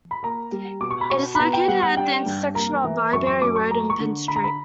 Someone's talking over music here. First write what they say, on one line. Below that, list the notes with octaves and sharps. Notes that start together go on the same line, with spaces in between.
It is located at the intersection of Byberry Road and Penn Street.
B5
A#3 A#5
G3
B2 D6
C#6
B5
B2 C#6
B5
B3 A#5
G5
G3 F#5
F#5
D4 G5
G2
A#3 A#5
E3
F#2 C#6
C#6
F#2 D6
C#6
A#3 A#5
C#6
D3
D3 B5
A#5
B5